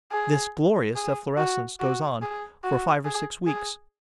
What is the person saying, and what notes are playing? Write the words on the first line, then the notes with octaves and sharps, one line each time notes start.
This glorious efflorescence goes on for five or six weeks.
G#4
G#4
F#4
F#4
G#4
F#4
G#4
G#4